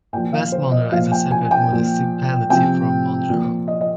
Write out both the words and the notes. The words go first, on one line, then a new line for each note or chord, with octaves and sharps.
West Monroe is a separate municipality from Monroe.
A#2 F3 G5
F5
C5
D#5
A#2 F3 F5
G5
G#5
G5
A#2 F3
C3 F3 G5
A#2 F3
D#5
D#5